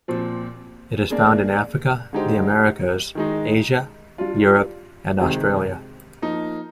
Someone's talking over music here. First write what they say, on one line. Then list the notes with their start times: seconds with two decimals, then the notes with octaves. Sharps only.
It is found in Africa, the Americas, Asia, Europe and Australia.
0.08 A#2 F3 C4
1.10 A#3 D4 G#4
2.13 D3 G#3 D#4 G4 C5
3.15 D#3 G#3 D#4
4.18 G3 D4 F4
5.20 C3 D#3 G#3 C4 G4
6.22 F3 A#3 D#4